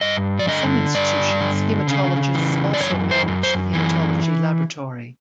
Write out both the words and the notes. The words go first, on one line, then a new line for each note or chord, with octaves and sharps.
In some institutions, hematologists also manage the hematology laboratory.
G2 D#5
D5
D3 D#5
G2 D5
D3
C#3
E3
D5
F#2 C#5
C5
F#2
C5
E3